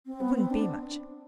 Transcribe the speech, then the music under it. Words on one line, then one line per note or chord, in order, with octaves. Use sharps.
It wouldn't be much.
C4
B3
C4
D4